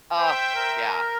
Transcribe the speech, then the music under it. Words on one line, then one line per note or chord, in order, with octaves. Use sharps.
Ugh, yeah.
C5 E5 G5
A#4